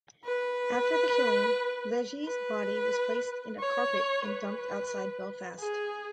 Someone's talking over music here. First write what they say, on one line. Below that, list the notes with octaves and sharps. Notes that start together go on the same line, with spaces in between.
After the killing, Legge's body was placed in a carpet and dumped outside Belfast.
B4
B4
C#5
B4
G#4